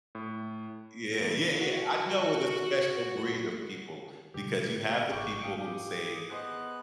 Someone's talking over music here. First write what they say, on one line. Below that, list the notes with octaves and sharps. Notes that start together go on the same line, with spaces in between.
Yeah. Yeah. Yeah. I deal with a special breed of people because you have the people who say
A2
E2
F#4
B2 D3 G3 G4
G#1 G5 C#6 D6
G4 F5 G5 D#6
B3 G#4 C5 D#5 F#6